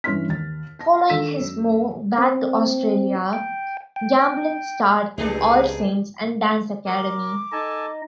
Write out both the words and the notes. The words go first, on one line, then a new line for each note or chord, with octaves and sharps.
Following his move back to Australia, Gamblin starred in "All Saints" and "Dance Academy".
G2 E3 C#4 C6 F6 B6
D#2 A6
A5 A#6
D#3 D4 A4 E6 B6 E7
F#2
C4
G5
G5
C#2 G2 F3 G3 D4 D#4 G#4 B4
A#4 D6
D#4 A4 D#5 G#5 A5